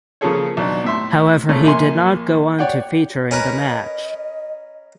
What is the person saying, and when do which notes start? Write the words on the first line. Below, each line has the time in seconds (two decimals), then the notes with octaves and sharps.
However he did not go on to feature in the match.
0.21 C#3 F3 A#3 G#4 A4 C#5
0.57 B1 D4
0.84 A2 E5 C6
1.49 A#2 C#3 A3 C#4
1.64 A#1 A#3 G#5 C6
2.59 C#5 D5 F#5 G5
3.31 C#4 A#4 B4 D#5